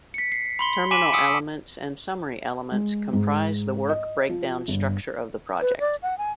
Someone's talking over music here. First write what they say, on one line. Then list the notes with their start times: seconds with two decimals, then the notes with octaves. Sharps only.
Terminal elements and summary elements comprise the work breakdown structure of the project.
0.14 B6 C#7
0.32 C7
0.59 B5 C6 G7
0.91 G#5 D6 B6 D#7 E7 F#7
1.13 D#6 E6 B6 C#7 D7
2.72 G#3
3.13 G#2
3.89 D#5
4.29 F3
4.68 G1
5.61 B4
5.80 D5
6.02 F#5
6.18 G#5